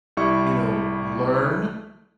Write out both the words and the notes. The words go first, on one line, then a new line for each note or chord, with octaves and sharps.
you know, learn,
C2 G3 E4 C#6